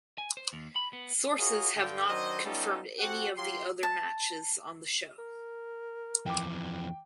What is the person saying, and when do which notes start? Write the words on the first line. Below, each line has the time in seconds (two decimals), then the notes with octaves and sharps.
Sources have not confirmed any of the other matches on the show.
0.18 G#5
0.37 C5
0.53 D#2
0.76 B5
0.93 B3
1.38 F4 F#4 G#4 A#4 C#5 D#5
1.75 G2 D3 G5
2.08 D#3 F#3 D4 C5 D#5
2.44 G3 B3 C#4 D#4 F4 A4
2.99 C4 F#4 G4 A4 F#5
3.36 F#3 F4 G4 C6
3.83 A5
5.18 A#4
6.26 F2 E3 G5 D6